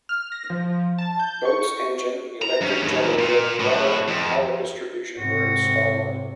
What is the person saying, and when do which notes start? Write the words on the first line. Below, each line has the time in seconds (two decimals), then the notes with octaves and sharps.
Boat's engine, electric generator, water and power distribution were installed.
0.09 F6
0.32 A#6
0.50 F3
0.98 A5
1.20 G6
1.45 C#6
2.42 A#5
2.61 G2 C#4
2.82 D#2 A2
3.19 A#2
3.59 A2 F#4
4.08 F2
5.18 G#2 C3 F#4